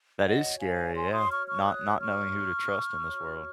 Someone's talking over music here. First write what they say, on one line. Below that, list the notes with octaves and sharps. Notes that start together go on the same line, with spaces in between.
That is scary. Yeah. Not not knowing who to trust in this world.
G#5
F#4 C#5 D#5 F#5
F5 G#5
G#5 C6
C6 D#6
C#6 F6
C#6 F6
D#6 F#6
C#6 F6
F#4 C#5